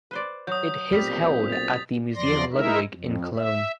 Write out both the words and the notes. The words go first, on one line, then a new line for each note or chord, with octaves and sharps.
It his held at the Museum Ludwig in Cologne.
B4 C5 D5
F#3 D#6 G6
B1 A#2 G3 C4 B6
A6 F7
E2 F3 D5 C6 A#6
G#3 D#4 E4 A#4 E5
F2
E5